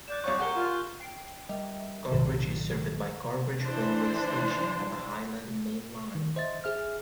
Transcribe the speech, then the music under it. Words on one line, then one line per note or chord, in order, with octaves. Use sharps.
Carrbridge is served by Carrbridge railway station on the Highland Main Line.
D5 F#6 G6 E7
C2 C#5 D5 C#6
G4 G#4 A#4 F#5 C#6 G6 G7
F4
G5 C7 D7
G3 A#4 D#5 E5 G5
B1 G2 A#2 D#3 F#3 A4
E3 D4 C5
D#3
C5 D#5 E5 A6
G#4 E5 F6